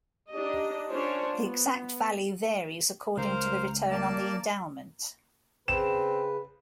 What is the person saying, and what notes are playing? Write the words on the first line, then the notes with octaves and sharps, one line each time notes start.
The exact value varies according to the return on the endowment.
D4 D#4 G4 D#5
C#4 D4 F4 C5 C#5
B3
C#2 A#4 C5 F5
A#3 D5 A5
C#3 C4 B4 E7